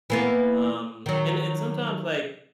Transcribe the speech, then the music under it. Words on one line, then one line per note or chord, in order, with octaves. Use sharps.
Um, and and sometimes, like,
E3 A#3 B3
D#3 F#3